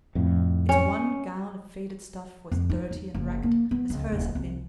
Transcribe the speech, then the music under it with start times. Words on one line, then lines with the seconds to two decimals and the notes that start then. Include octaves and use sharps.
Its one gown of faded stuff was dirty and ragged, as hers had been.
0.15 F2 A2
0.69 C#4
2.52 F2
2.70 D#4
2.91 E2
3.14 F#1
3.43 A#3
3.71 B3
3.90 C#2
4.12 D#1
4.35 C2